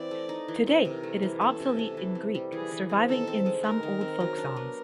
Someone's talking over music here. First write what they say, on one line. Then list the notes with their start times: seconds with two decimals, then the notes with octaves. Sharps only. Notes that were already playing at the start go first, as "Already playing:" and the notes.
Today it is obsolete in Greek, surviving in some old folk songs.
Already playing: E3 C4 D5
0.11 A3
0.29 D#4
0.48 E3
0.66 C4
0.85 C3 A#4
1.03 A3
1.23 E3
1.41 C#4 A4
1.60 C3
1.79 A3
1.97 E3
2.15 C4
2.35 G3
2.52 E3 G#4
2.71 E3
2.89 C4
3.08 D#3 A4
3.27 C4
3.46 G#3
3.64 D#4 A#4
3.83 D#3
4.01 C4
4.20 F#3
4.38 D4
4.56 B3